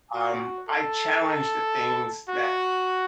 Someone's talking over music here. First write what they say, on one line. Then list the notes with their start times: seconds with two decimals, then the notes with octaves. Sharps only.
um, I challenge the things that
0.14 F#4
0.68 A4
1.21 A4
2.29 F#4